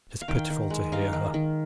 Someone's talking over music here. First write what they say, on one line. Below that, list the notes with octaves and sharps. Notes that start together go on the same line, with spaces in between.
It is pitiful to hear her.
F5
D#3 G5
D#3
G#3
D#4 F5
D#3
D#3